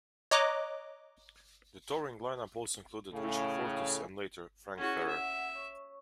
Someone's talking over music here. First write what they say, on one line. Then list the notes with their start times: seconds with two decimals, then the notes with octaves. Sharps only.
The touring lineup also included Richard Fortus and later, Frank Ferrer.
0.31 C#5 D#5 A#5 D6 F#6
3.13 A2 C#3
4.77 C#4 E4 F#4 G#4 F#5
5.08 E5 F#5
5.55 C#5 C#6